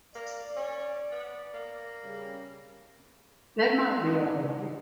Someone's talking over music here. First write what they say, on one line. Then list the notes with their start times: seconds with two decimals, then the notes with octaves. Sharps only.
That might be all right.
0.15 A#3 D5
0.57 C#4
1.12 B3
1.54 A#3
2.03 C#3 G3
4.03 G#2 D#3 E3 F#3 C4 D#5